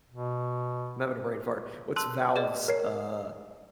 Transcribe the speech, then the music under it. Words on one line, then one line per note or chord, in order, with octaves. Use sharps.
I'm having a brain fart. What's Valve's, uh
B2
A5 C6 E6 F#6
G#4 D5 D#5
A#4 C#5 C7